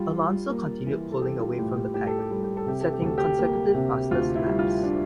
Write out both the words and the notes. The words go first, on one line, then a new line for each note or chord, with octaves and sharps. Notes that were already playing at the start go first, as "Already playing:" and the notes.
Alonso continued pulling away from the pack setting consecutive fastest laps.
Already playing: G3 F4
G3
A#3
E3
A4
E3 G4
F4
F4
A2 G4
G4
A2 G4
A4
G4
G3 A4
G4
A4
C3 G4
A4
G4
D2 A4
G4
A#3
C3
D2 F4
E4
G3
F4
D4